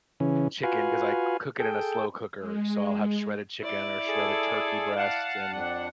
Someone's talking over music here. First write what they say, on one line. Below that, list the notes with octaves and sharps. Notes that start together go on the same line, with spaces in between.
chicken 'cause I cook it in a slow cooker, so I'll have shredded chicken or shredded turkey breasts and
C#3 E3 C#4
F4 F#4 B4 F5 G#5
G#4 A4 G5
G#3
E4 D5
G#4 A4
F5 F#5 A5
F2 D4 F#5